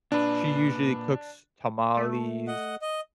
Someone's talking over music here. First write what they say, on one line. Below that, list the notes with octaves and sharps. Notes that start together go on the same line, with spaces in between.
She usually cooks tamales,
A#2 D4 B4
A3
D#5 F#5
D#5